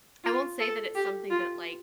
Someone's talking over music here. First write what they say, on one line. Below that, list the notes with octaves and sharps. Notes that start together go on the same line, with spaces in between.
I won't say that it's something that, like,
F4
A4
G4
F4